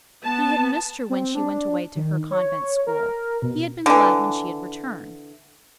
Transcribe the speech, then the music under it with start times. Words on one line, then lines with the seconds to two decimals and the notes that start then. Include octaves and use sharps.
He had missed her when she went away to her convent-school; he had been glad when she had returned.
0.24 B3 A5
1.10 C4
1.35 D4
1.96 D#3
2.31 C#5
2.87 A#4
3.42 B2
3.86 D3 E3